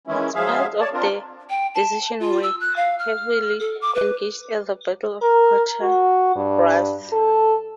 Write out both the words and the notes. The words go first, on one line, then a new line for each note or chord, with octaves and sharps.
Parts of the division were heavily engaged at the Battle of Quatre Bras.
D#3 E3 G#3 C#4 E4
F3 F#3 G#3 G#4 E5 F5
C#5 D5 A5
C4 D4 F4 A#4
G5
A5
F4
E6
F#6
F5
F6
A4
D6
B4
A#4
F#4
G2
A4